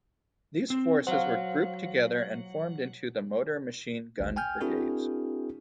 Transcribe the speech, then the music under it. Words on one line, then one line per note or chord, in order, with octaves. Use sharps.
These forces were grouped together and formed into the motor machine gun brigades.
C4
F#3 C5 F5 F#5
G#1 D2
G5 G#5 F6 G6
C4 D4 E4 F#4 G#4 A#4